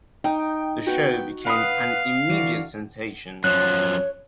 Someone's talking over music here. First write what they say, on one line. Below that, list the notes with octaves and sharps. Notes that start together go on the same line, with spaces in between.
The show became an immediate sensation.
D#4 G5
B3 F#4 G5
B4 F5 F#5 B5 D#6
D3 E3 F#4 D5
F#2 F3 C#5 F#6